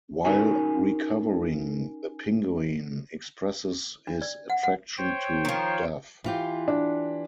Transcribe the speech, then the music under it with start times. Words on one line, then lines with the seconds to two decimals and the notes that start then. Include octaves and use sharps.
While recovering, the Penguin expresses his attraction to Dove.
0.25 C#4 D#4 F#4 G#4 A#4 G#5
4.07 D4
4.22 D5
4.50 F#5
4.63 F#5
4.98 C5 C#5 G5
5.45 D#3 F3
6.24 E3 F4 G4
6.68 D4